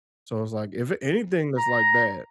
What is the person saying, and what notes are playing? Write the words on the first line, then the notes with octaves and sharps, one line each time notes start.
so, it's, like, if anything that's like that,
A#5